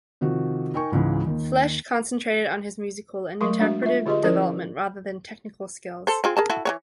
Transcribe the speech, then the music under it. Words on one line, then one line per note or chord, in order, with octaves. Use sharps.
Flesch concentrated on his musical and interpretative development rather than technical skills.
C3 D#3 F3 F#4
D#4 A#4 G5 G#5 C#6
C#2 G#2 C#3 E3
D#2 D#3
F#3 A3 A#4 C6 C#6
G#3 D4 F#4 E5
F4 E5
D3 F4 G4 G#4 D#5 C6
F3 C#4 E4 A#4 C5
A4 C5
C4 F4 G#4
G#4 A#4 A5
E4 F#4 A4
E3 B3 C#5